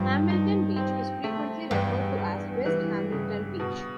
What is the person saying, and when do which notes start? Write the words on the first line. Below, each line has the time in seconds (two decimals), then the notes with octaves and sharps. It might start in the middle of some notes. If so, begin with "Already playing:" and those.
Hamilton Beach is frequently referred to as West Hamilton Beach.
Already playing: G2 F3
0.30 D#4
0.76 C4
1.24 A3
1.71 E2 G2
2.18 G3
2.66 E3
3.12 C#3
3.59 B2